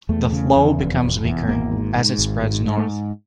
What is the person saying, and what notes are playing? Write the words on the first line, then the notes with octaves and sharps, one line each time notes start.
The flow becomes weaker as it spreads north.
E2 A3
C#3
E2
F1
F1
E2
G#1 A#3
G#2
G#2
G#1
G#2
G#2
A3